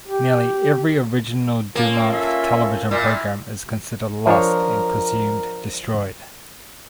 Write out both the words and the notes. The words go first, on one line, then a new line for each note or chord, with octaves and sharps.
Nearly every original DuMont Television program is considered lost, and presumed destroyed.
G4
A#3 C#4 F4 A4
E5
A#2 E4 F6
F3 D4 A#4 C#5